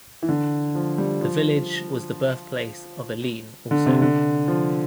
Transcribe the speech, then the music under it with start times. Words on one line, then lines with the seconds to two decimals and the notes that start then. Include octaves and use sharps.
The village was the birthplace of Aline also.
0.23 E3
0.29 D3
0.75 F3
0.98 G3
1.21 F3
3.71 D3
3.86 C3
4.02 D3
4.48 F3